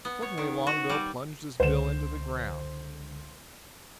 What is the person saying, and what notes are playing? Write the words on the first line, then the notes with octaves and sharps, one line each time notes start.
Suddenly Longbill plunged his bill into the ground.
B3
C#5
D#3
F#4
G3
C#2 D3 C5 E7